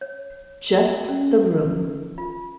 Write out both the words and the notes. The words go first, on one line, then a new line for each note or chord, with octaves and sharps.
Just the room.
C#5
C#4
F4